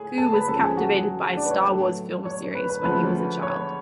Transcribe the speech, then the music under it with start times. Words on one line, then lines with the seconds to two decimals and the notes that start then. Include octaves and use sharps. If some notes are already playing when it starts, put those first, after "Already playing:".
Koo was captivated by "Star Wars" film series when he was a child.
Already playing: A2 G#4
0.18 A4 A5
0.33 B4 B5
0.48 C#2 C#3 F3 A4 A5
0.62 G#4 G#5
0.77 F#4 F#5
1.37 D4 D5
1.46 B4
1.51 C#5
1.66 A2 F#3 A3
2.25 C#5
2.55 B4
2.70 B4
2.84 D2 C#3 F3 A3 B4
3.43 C#5